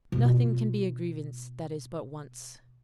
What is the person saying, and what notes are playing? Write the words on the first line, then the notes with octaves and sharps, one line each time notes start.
Nothing can be a grievance that is but once.
B2 F4